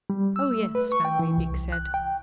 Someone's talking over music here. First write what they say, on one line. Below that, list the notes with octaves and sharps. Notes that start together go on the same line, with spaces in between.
"Oh, yes," van Riebeek said.
G3
E6
A3
B4
C#6
G5
E3
C2
F#6
G5